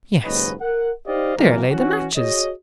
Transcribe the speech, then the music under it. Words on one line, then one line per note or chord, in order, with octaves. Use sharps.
Yes, there lay the matches.
F#1 D#2 G#2 B4 C#5 D#5
A#4 F#5
D#4 G4 C5 D5 D#5 F5
C3 E3 F#3 G#3 A#3 A#4
E3 C#4 F#4
F#4 G#4 C#5 D#5